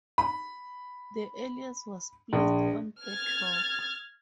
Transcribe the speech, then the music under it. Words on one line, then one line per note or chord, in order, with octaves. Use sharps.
The earliest was placed on bedrock.
B5
A#1
F6 G#6 A6